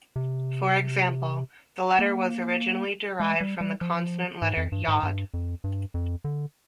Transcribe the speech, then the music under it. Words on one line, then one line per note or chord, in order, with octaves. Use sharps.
For example, the letter was originally derived from the consonant letter "yod".
C3
A#3
G#3
G3
G3
F3
G#2
F2
G2
G#2
G2
F2
G2
F2
D3